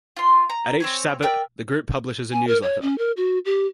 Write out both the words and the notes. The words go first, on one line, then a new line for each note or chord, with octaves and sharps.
At each Sabbat the group publishes a newsletter.
F4 C6
A#5
C4 C#5 G#5
A#4 D5 E5 G5
G#5
A#4
C#5
C#4
A#4
F#4
G4